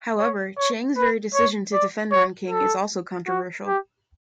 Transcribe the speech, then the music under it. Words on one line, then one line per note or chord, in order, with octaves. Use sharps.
However, Chiang's very decision to defend Nanking is also controversial.
C#5
C#5
B4
C#5
D5
C#5
A4
F#4
G4